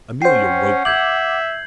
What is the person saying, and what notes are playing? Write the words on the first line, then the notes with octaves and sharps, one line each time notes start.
Amelia Roper!
C#4 C5 F#5 G5 G6 C7
E5 D6 G6 G#6 F#7